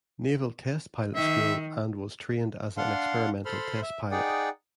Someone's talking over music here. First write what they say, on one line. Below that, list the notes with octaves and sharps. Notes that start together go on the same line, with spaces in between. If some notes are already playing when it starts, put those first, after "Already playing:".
Naval Test Pilot School and was trained as an experimental test pilot.
D#3 E5
D4 F5 F#5 C6
A4 C5 B5 C6 F6
E5
D#4 G#4 D5 F#5 G5